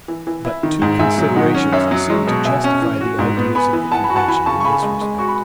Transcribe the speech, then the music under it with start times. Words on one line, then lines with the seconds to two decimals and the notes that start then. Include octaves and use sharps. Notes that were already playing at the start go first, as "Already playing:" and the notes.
But two considerations seem to justify the ideas of the convention in this respect.
0.08 E3
0.27 E3
0.45 E4
0.63 D#3
0.82 G#2
0.99 G#2 E5 G#5
1.18 F#3
1.36 D#3 D#5 F#5
1.54 C#4
1.73 F#2 C#5 E5
1.91 F#3
2.10 G#3
2.27 B2
2.45 B2 E5 G#5
2.64 C#4
2.82 E3
3.01 F#4
3.19 G#2
3.37 B3
3.55 B3 G#5 B5
3.73 E3
3.92 E3 F#5 A5
4.04 G#5 B5
4.10 F#4
4.16 F#5 A5
4.28 E3 G#5 B5
4.46 C#3 A5 C#6
4.60 C#6
4.64 C#3 G#5 B5
4.82 G#3
5.01 G#3
5.19 F#4 C#6
5.28 B5